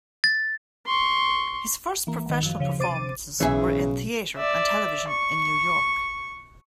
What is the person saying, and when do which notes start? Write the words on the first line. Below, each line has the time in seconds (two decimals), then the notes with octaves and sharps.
His first professional performances were in theater and television in New York.
0.24 A6
0.86 C6 C#6
2.07 E3 A#3
2.26 G#1 D#3
2.43 F#2 F3
2.59 D2 C#3 F3
2.79 C3 C5 D6 A6 D#7
3.40 B1 C#3 E3 G#4 E5
4.37 D5 E5
5.08 C#6